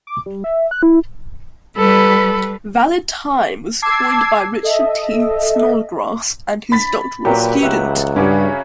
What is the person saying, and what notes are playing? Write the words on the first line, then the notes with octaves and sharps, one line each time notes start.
"Valid time" was coined by Richard T. Snodgrass and his doctoral student.
D6
G3
E5
F#6
E4
G3 A4 B4 B5
A5 D6 E6 G#6 C7
A4 D#5 E5
B5 A6 B6
A#2 F#3 G4 A#4 B4 G5
C#2 E5 F#5
G2 C#3 C#4 F#5 D6